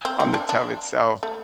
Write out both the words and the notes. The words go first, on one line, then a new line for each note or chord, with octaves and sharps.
on the tub itself
C4
C4
D4
D4
A3